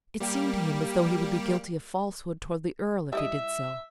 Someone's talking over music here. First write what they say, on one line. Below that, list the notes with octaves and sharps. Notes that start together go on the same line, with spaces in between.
It seemed to him as though he would be guilty of falsehood towards the earl if he did so.
G3 A#3 G4
G3 E4 D#5 E5